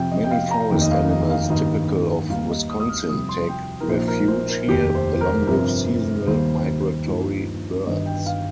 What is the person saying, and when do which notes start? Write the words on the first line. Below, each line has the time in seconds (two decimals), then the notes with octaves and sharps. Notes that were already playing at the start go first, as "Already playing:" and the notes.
Many forest animals typical of Wisconsin take refuge here, along with seasonal migratory birds.
Already playing: F2 C3 F3 G5
0.12 D#5
0.24 G5
0.31 F5
0.51 A#5
0.70 F1 D#2 D#3 A#3 D#4 G5
0.81 D#5
0.91 F5
1.10 D#5
1.30 F5
1.49 G2 D#3 G3 A#3 D#4 D#5
2.30 D#2 D#3 G3 A#3 D#4 F5
2.50 D#5
2.70 D#6
2.80 D#6
2.89 F6
3.08 F2 C3 G3 D#6
3.29 C6
3.49 G5
3.80 A#4
3.88 A#1 A#2 A#3 D#4 C5
4.08 A#4
4.28 C5
4.48 A#4
4.68 F1 D#2 D#3 G4
4.95 C5
5.21 A#4
5.47 G1 F2 C3 F3 C4 A#4
6.27 D#2 D#3 G3 A#3 C5
7.06 G2 F3 A#3 D#4
7.86 G1 G2 D#3 D#5
8.06 G5
8.26 F5